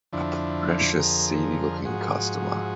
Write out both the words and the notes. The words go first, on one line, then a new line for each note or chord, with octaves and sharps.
A precious seedy-looking customer.
F2 D3 F3 D4 E4
G#4 A#4
G#2 F3 F#4 G#4